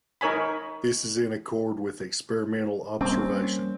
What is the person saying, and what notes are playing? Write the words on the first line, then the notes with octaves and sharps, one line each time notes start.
This is in accord with experimental observation.
D#4 A#4 C#5 G#5 B5
G3 A#3 C4 C#4